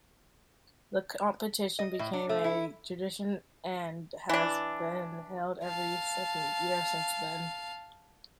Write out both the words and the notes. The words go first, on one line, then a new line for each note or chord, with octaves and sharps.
The competition became a tradition and has been held every second year since then.
D#5
A2
D4
A3
E4
E3 D4
F5 A5